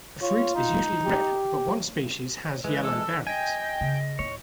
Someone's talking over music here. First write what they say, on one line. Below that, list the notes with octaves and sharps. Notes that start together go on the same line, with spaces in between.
The fruit is usually red, but one species has yellow berries.
F4 C#5
D#4
G4
E3 G#3 B4
A4 E6
D#5 G5 G#5
C#3
D1 D#4 C#5